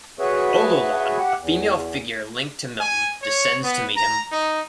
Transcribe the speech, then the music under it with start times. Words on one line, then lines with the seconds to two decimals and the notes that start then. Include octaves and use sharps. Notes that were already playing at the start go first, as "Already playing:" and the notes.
Ololon, a female figure linked to Milton, descends to meet him.
0.19 F#4 G#4 B4 C#5 E5
1.19 G4 F#5
1.41 E2
2.81 G#5
3.22 C#5
3.64 B3
3.97 A#5
4.32 D#4